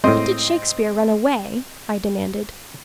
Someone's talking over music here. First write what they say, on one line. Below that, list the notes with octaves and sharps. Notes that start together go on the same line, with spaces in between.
"But did Shakespeare run away?" I demanded.
A2 G#3 C4 D#5 C6